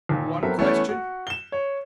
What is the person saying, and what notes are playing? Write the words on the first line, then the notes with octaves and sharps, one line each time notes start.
"One question."
D#2 A#2
F#3 B3 C4 A4 A#4 E5
E3 A3 B3 C#4
F#4
E7 G7
C#5